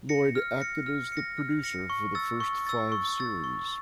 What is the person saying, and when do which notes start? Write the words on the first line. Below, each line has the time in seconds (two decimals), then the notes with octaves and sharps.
Lloyd acted as the producer for the first five series.
0.09 A#6 C#7
0.35 F6
0.60 A#6 C#7
0.86 F6
1.12 A#6 C#7
1.38 F6
1.64 A#6 C#7
1.90 C#6
2.15 E6 A6
2.40 C#6
2.67 E6 A6
2.92 C#6
3.18 E6 A6
3.44 C#6